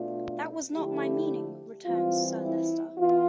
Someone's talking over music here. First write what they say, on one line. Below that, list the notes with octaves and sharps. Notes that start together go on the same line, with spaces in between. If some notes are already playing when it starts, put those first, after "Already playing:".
"That was not my meaning," returns Sir Leicester.
Already playing: B2 A3 D4 F4
D3 F3 A3 E4 G4
E3 G3 C4 F4
E4
E3 B3 F4